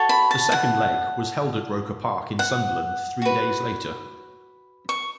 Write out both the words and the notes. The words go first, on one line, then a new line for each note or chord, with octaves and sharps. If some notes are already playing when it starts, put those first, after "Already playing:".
The second leg was held at Roker Park in Sunderland three days later.
Already playing: F#4 A4 C#5
B5
A5
F#5
F#5
F#4 B4
C#6